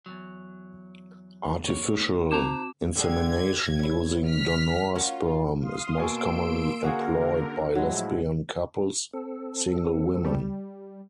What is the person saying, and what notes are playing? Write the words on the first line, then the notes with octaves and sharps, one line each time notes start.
Artificial insemination using donor sperm is most commonly employed by lesbian couples, single women.
E2 G#2 F#3
A#3 A#4 C#5
C4 D#4 C5 A#5 D6 E7
D3 G3 G#4 G#6
C#4 E4
F6 B6
C#4 F4 F#4 A#4
F5 C6 D#6
B2 A#3 G#5 C6 C#6 E6 D7
D3 C#4 F#4 G#4 A#4 F5 F#5
A2 F3 F#3 G#3 E4
C4 A4
G3